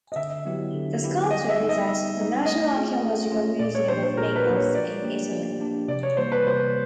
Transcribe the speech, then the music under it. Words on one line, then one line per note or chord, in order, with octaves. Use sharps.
The sculpture is at the National Archaeological Museum of Naples, in Italy.
D#5
D3 E5
F#3 B3 E4 G4
D3
F#3 B3 E4 G4
G3 D#5
E5
B3 D#4
D#5
G3 E5
B3 D#4
A3 D#5
C#4 F4 G#4
A3
C#4 F4 G#4
A#2 D5
C#5
F3 A#3 D4 G4 C5
C5
A#2 A#4
B4
F3 A#3 D4 G4
C#5
F3 D5
A#3 D4 G4
F3
A#3 D4 G4
C3 D5
C#5
E3 G3 A#3 C5
B4
C3 C5